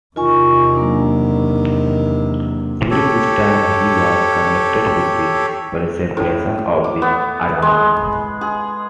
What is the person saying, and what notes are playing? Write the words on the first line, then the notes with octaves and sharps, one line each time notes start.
During this time he was connected with the preservation of the Alamo.
E2 C3 D#3 F4 G#5 C#6
F#3 A#3 D4
G4 A4 C#5
A2
D6
B3
G#3
G#4